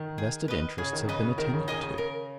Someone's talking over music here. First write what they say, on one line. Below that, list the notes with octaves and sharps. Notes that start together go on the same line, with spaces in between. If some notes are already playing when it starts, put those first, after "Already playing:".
Vested interests have been attended to.
Already playing: D#3
G#4
B4 D#5
C#3 G#4
D#3
C#3 B4 D#5
C#3
D#3 A#4
C#3
D#3 D#5 G#5 D#6
C#3
A#4